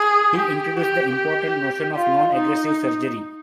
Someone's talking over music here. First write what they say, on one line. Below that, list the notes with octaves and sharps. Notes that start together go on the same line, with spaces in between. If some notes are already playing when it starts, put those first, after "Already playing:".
He introduced the important notion of non aggressive surgery.
Already playing: G#4
G4
G4
G4
F4
D#4